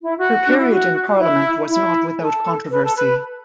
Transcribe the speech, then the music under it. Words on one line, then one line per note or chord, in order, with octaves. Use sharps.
Her period in parliament was not without controversy.
E4
F#4
D4
E4
F#4
F#4
E4
E4
A4
B4
A4
B4